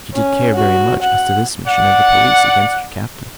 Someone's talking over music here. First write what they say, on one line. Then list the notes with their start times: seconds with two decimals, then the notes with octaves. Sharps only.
But she did care very much as to this mission of the police against her Captain.
0.13 C#4
0.55 F#4
1.02 F#5
1.67 D5 F#5